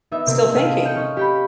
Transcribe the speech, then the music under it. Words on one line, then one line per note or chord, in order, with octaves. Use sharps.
still thinking.
B3 D#4 E5
C3 A#3 C4
A3 G#4 D#5 F5
G5 C#7
C#4 D#4
G4 G5 B5